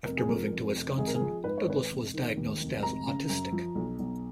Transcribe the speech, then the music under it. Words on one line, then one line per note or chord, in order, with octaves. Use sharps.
After moving to Wisconsin, Douglas was diagnosed as autistic.
F1 A#4
G#4
F3 A#4
F2
F1
G#1 G#4
A#4
G#4
F3
G#2 B4
C#5
G#1 B4
F1
D#3
D#2
F1
G#1 A#5
C#3
F#2
F3
B1
B1